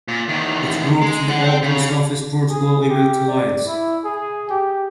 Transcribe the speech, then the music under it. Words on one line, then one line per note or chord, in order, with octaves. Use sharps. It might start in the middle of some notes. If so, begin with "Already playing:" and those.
It worked with all Post Office Protocol email clients.
A#2
E2 D#3
G#3
D5 F#5
C5 G5
C#3
G#4
G4
D5
E4
G#4
G4